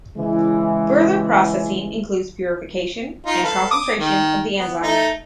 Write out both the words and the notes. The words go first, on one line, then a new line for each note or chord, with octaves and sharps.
Further processing includes purification and concentration of the enzyme.
C#3 E3 G#3
D#4 F4
A4 B4 F5
D6 D#6
D#3
B3
A3 D#4